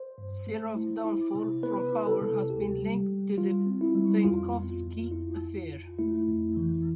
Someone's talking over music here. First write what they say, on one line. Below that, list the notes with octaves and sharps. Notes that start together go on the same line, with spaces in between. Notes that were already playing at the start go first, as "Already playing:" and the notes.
Serov's downfall from power has been linked to the Penkovsky affair.
Already playing: C5
G2
A3
E4
E4
C3
B3 B4
E4
A4
C3
D2 G4
G3
G3
G3 F4
C4
E4
G3
F2 F4
B3
F2
E4
F2
F2
A3 E4
F2
E3